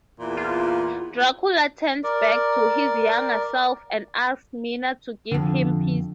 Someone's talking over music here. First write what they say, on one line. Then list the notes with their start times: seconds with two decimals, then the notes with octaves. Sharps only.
Dracula turns back to his younger self and asks Mina to give him peace.
0.20 E2 A#2 E3
0.37 F4
2.04 A#4 D5
5.32 F2 D3